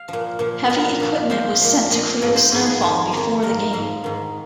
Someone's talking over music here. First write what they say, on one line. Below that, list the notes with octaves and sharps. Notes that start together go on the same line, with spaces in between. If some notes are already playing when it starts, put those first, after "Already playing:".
Heavy equipment was sent to clear the snowfall before the game.
Already playing: F5
A#2 F3
A#2 F3
A#2 F3 D#5
A#2 F3
A#2 F3 C5
A#2 F3
A#2 F3 D#5
G#2 F3 D#5
C5
G#2 F3 G#4
G#4
F2 D#3
F2 D#3
G#2 F3 A#4
G#2 F3
G#2 D#3